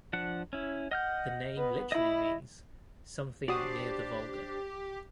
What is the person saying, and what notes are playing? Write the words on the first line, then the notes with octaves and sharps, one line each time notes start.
The name literally means "something near the Volga".
F3 D4 F#5
C#4 E4
D#5 F#5 F6 G6
B3 B4
E4 D#5 B5
D4 F#4 G4 C5 D5 D#6